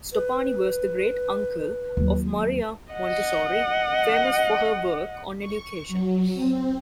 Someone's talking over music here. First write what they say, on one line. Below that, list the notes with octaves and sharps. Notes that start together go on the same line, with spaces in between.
Stoppani was the great-uncle of Maria Montessori, famous for her work on education.
B4
D#2 F#3
D#5 F#5
C#6
F#3
C4